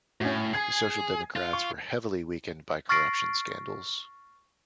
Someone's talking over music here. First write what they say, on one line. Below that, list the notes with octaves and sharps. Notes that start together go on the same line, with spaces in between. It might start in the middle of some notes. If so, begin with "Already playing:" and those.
The Social Democrats were heavily weakened by corruption scandals.
A2 C#4 F#4
G#4 G#5 G#6 C7
F4
C#6
C#6 F6 A6 A#6 C7 D7